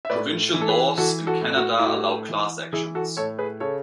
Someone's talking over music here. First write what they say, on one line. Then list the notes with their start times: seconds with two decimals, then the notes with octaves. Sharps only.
Provincial laws in Canada allow class actions.
0.05 E5
0.10 A2 B4 D5
0.54 E3
0.61 A4
0.68 G#4 B4
0.97 E3 F#4 A4
1.27 F#4 A4
1.41 A2
1.56 F#4
1.79 E4
1.85 A2 F#4
2.29 E3
2.72 E3 E4 G#4
2.95 F#4 A4
3.17 A2 A4 C#5
3.39 G#4 B4
3.60 C#3 A4 C#5